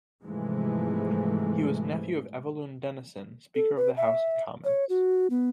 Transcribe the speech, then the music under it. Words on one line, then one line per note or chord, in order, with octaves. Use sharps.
He was nephew of Evelyn Denison, Speaker of the House of Commons.
G#2 C3 E3 F3 G#3 A3
A4
B4
E5
C#5
F#4
B3